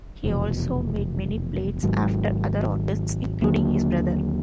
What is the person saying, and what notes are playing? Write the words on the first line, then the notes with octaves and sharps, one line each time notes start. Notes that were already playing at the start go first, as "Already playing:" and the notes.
He also made many plates after other artists, including his brother.
F1 E2 B2
G#1 G#2 D#3 F#3
D#2 D3 F#3 A#3